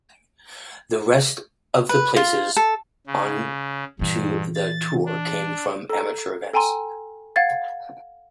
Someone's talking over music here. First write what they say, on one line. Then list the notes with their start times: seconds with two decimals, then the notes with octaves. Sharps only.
The rest of the places on to the tour came from amateur events.
1.89 B4
2.16 F4
2.56 A4
3.06 C#3
3.99 G2 A#2 E3
4.54 A6
5.06 D4
5.89 A4 A#5
6.54 A4 G5 G#5 A#5 C6 D#7
7.36 F5 F#5 G#6 A6